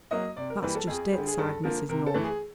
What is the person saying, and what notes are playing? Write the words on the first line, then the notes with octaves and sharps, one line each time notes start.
"That's just it," sighed Mrs. North.
F#3 A#3 D#5
C3 D5
A#4
E3 G3 A#3 B4
A4
F2 G#4
G3 G#4
D3
G#4
G2 A4
D3 F3 A#3 A#4
C3 A#4
A4
E3 A3
G#4